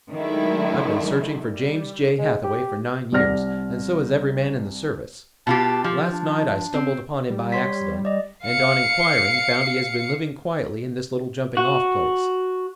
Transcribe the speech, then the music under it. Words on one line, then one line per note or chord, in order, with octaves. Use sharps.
I've been searching for James J. Hathaway for nine years, and so has every man in the service. Last night I stumbled upon him by accident, and on inquiring found he has been living quietly in this little jumping-off place.
D#3 F#3 G#3 A3 D4 E4
G3
G#3
G4
C2 D5 F#5 F6 A#6
B2 F4 G4 A5
F3 G4
D4
C4
G3
C#5 C6 B6
D5 D#5
F5 C#7
F#4